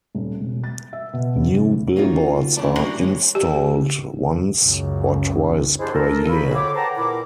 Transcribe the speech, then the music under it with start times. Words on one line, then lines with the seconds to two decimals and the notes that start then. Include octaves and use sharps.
New Billboards are installed once or twice per year.
0.15 D#1
0.41 E1
0.64 A6
0.93 E5
1.13 B2
1.36 F#1
1.96 A#3 C#4 D#4 F4 F#4
2.57 D2 C#3 E3 E4 D5 A5
2.78 G3 A#3 D4 F#4 G4
2.96 D3 G#3 C#5
3.35 G4
4.63 C#2 F#2
5.79 G#3 D4 E4 G4 G#4 C5
5.93 A4 A#4
6.28 F4 F#4 G#4 C5 B5
6.55 F2 D3 C#5 D6
6.75 B4 C5 F#5 G5 A5 A#5
6.96 E2 A#2 E4 A#4 D6